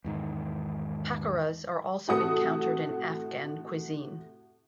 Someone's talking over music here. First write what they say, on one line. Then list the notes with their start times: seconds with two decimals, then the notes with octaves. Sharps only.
Pakoras are also encountered in Afghan cuisine.
0.04 E2 G#2 D#3
2.08 A2 C3 F#4 A4 D#6 C#7